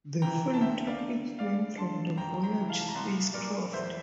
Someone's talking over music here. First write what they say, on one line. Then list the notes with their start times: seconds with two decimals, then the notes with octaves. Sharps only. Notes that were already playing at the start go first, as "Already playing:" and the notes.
The firm took its name from the Voyager space craft.
0.22 C3 E3 G5 A#5
0.54 A5
0.61 D2 E5 G5
0.87 D5 F5
1.00 D3
1.39 G2 D5 F5
1.78 D3 A5 C6
2.17 F2 G5 A#5
2.43 G5 A#5
2.56 C3 E3
2.69 F5 A5
2.81 A5
2.88 A#5
2.95 C2 A5 C6
3.34 A#2 A#4 D5
3.73 E2 C5 E5